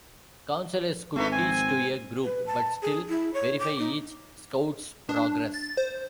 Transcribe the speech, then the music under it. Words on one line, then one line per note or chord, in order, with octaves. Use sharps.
Counselors could teach to a group but still verify each Scout's progress.
G#1 A3 B3 D#4
C4 G#5
B4
A5
G#4
E4
C#5
D6
D#4
D4
A6
C5